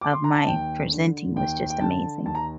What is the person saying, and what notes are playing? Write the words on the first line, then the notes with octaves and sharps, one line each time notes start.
of my presenting was just amazing.
D6
C6
A#5
A5
D#2 G5
D3
D#2 G5
G5
D3 A5
D#2 A5
A#5